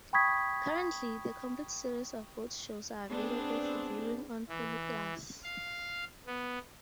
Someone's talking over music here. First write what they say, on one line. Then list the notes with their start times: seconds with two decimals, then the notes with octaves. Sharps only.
Currently, the Complete Series of both shows are available for viewing on Hulu Plus.
0.13 G5 B5 C#6 D#6 G#6 B6
3.09 B3 C4 D4 G#4
4.49 E3
5.44 F5
6.26 B3